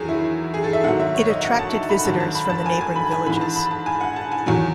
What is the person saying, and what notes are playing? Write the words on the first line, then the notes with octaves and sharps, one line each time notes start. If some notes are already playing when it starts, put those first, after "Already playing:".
It attracted visitors from the neighboring villages.
Already playing: E2 D#3 F#3 G#4
E4
G#4
A4
E5
G#2 D#3 F#3 F#5
E5
C#5
D#5
F#5
A5
B5
G#2 D#3 F#3 A5
A5
B5
A5
G#5
G#5
B5
G#5
G#2 E3 B5
A5
B5
A5
G#5
F#5
A5
G#5
E2 D#3 F#3 G#5